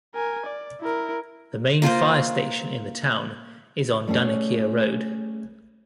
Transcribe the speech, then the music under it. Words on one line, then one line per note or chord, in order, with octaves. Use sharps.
The main fire station in the town is on Dunnikier Road.
A#4 G#5
D5
E4 A#4
A#3 F4 A#4 C5
G3 A3 C#4 G#4 C#5